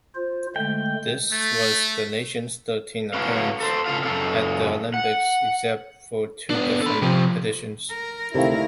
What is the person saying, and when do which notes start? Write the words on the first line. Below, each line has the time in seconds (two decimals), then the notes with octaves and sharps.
This was the nation's thirteenth appearance at the Olympics, except for two different editions.
0.15 F4 C5
0.56 D3 G#3 A3 G5
1.32 A3
3.13 A2 F#3 C#4 B4 C#5 F5
3.61 A4 B4 C5
3.86 C#3 A3 F4 F5
4.03 F#2 C#3 G#3 C4 A4 F5
4.94 F#5
6.50 B3 D4
6.82 A4 B4
7.02 C3 F3
7.89 A#4
8.35 D2 C3 D#3 A3 E4 G4 A#4 F5